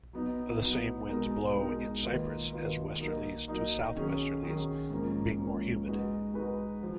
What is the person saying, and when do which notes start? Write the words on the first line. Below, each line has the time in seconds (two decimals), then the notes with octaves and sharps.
The same winds blow in Cyprus as westerlies to southwesterlies, being more humid.
0.13 F#3 B3 D#4
0.62 F#3 B3 D#4
1.09 B2 G#3 D#4 A#4
1.57 B2 G#3 D#4 A#4
2.05 D#3 A#3 F4 B4 D#5
2.52 D#3 A#3 F4 B4 D#5
3.00 F#3 A#3 D#4 A#4 D#5
3.48 F#3 A#3 D#4 A#4 D#5
3.95 D#3 F#3 C#4 G#4
4.43 D#3 F#3 C#4 G#4
4.90 G#2 F3 A#3 C#4
5.38 G#2 F3 A#3 C#4
5.86 G#3 D#4 F#4 B4
6.34 G#3 D#4 F#4 B4
6.83 F3